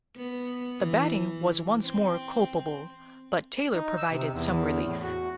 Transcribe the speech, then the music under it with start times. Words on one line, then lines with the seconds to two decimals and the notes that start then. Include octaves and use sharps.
The batting was once more culpable, but Taylor provided some relief.
0.17 B3
0.80 E3
1.81 C4
3.75 D#4
3.98 E6
4.10 C3
4.33 E2
4.86 A2
5.03 F#4